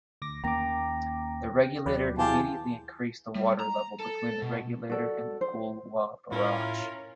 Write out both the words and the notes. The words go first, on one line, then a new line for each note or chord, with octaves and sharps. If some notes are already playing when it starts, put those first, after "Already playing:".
The Regulator immediately increased the water level between the Regulator and the Goolwa Barrage.
D2 D6 A#6
D#2 A#3 C#4 G5 A#5 D6 A#6
D#2 F#3 B4 D5
E3 F4 G4 G#4 G#5 A5 G#6
G3
A#5
A4
B2
F#4 A4 D5
C5
A2 C#4 E4 F4 A#4